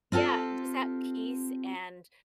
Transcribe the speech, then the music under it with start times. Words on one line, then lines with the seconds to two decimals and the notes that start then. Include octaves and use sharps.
yeah, just at peace and
0.12 C4 F4 G4 A4